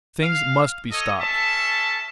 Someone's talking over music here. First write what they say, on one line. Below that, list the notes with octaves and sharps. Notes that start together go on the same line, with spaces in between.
Things must be stopped.
F5
A4 C#5 D#5
C#4 A4 E5 A5